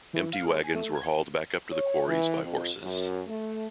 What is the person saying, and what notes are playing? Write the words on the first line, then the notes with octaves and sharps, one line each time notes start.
Empty wagons were hauled back up to the quarries by horses.
E3
F5
G#3
G#5
A3
G#6
C#5
E3
F2
F#2
A3